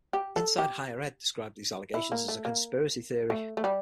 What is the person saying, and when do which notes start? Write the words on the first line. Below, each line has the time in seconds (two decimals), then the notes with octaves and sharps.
"Inside Higher Ed" described these allegations as a conspiracy theory.
0.13 G4
0.36 A4
0.58 G4
1.94 E4
2.12 A#3
2.28 A3
2.45 A#3
3.30 A3
3.57 A3
3.64 G3